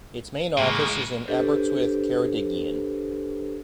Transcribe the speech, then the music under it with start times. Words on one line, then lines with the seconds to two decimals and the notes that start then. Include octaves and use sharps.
Its main office is in Aberystwyth, Ceredigion.
0.58 A2 C#3 E3 G#3 A#3
1.28 D4 G4 A4 B4 C5